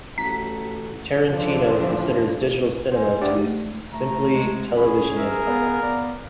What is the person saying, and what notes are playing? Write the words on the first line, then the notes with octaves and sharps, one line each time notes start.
Tarantino considers digital cinema to be simply television in public.
A1 F#4 A4 A#5 B6
D3 E3 F3 D4
C5 G#5
D4 G4 D5 E5 F#5
A3
A3 A#5
G#3
C#4 G#4 B5
A#4 E5
B3 F5
B3 D5